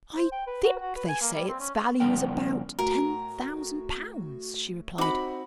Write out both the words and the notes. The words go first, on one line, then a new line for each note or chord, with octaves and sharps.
"I think they say its value is about--ten thousand pounds," she replied.
C5
G5
B4
F#4
F#4
B4
G#5
A#3
G3
C4
C#4
F2 C#3 G3 B3 A#4 G5
A2 F#4 A#4
C4 D#4 F#4 B5 D6